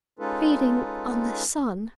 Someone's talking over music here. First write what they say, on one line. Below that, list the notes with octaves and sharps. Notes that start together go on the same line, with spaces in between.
"Feeding on the sun!"
G#3 C#4 D#4 F4 A4 B4